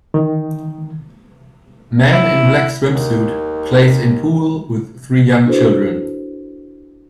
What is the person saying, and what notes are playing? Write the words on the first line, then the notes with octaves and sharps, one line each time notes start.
Man in black swimsuit plays in pool with three young children.
D#3
E4
D#2
D4 E4 F#4 A4 B4 C5